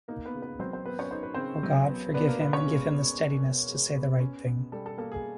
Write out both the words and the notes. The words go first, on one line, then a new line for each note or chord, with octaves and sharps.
O God, forgive him and give him the steadiness to say the right thing.
A#3 D#4 A#4
B3 B4
C#3
B3 B4
F#3 C4 C5
C4 C5
B3 B4
C#4 C#5
D#4 C5
B4
C#3 C4 C5
F#3
B3
B3 D4 B4
A#3 A#4
B2 B3 B4
C#4 C#5
G#3
B3
D4
B2
G#3
B3
C#4
B2
G3 A4
A4
A#3 A4
G#4